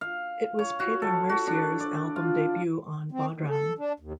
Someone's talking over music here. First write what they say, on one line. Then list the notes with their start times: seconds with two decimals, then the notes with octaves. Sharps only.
It was Peadar Mercier's album debut on bodhran.
0.01 F5
0.59 C#5
0.80 F#4
1.02 A4
1.29 F#4
1.47 D4
1.80 D5
2.16 F4
3.12 C4
3.31 D#2
3.50 A4
3.78 D4
4.00 D#2